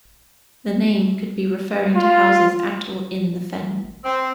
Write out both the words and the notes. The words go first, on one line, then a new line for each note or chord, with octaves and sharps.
The name could be referring to houses at or in the fen.
F4
C4